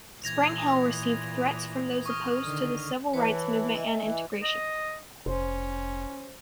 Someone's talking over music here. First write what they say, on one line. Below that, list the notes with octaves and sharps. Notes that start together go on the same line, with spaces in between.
Spring Hill received threats from those opposed to the civil rights movement and integration.
A#2 E3 G#6 A#6 F7
D#6
C#6 D#6 F6
D3 D#3
E3 B4 C#5 A5
D#5 E5 G#5
E3
D#5
F1 C#4 C5